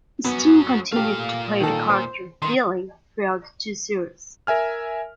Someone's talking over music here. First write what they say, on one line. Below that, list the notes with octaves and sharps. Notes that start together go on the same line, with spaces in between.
Steen continued to play the character of "Billy" throughout the two series.
F#3 B3 C#4
A#2 A3 G4 F5
D#3 A4
C5
D#3 C6
A#4 E5 G#5 F6